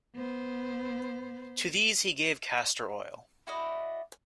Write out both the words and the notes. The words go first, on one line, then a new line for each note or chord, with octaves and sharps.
To these he gave castor oil.
B3 C5
E4 F#4 D5 D#5